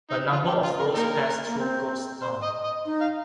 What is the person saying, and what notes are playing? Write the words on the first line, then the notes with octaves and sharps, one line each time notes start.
A number of roads pass through Goatstown.
D#4
F4
G4
F4
A#4
A#3 D#4 G4 A#4
A#3
C4
C5
D#5
D#5
D#4
F5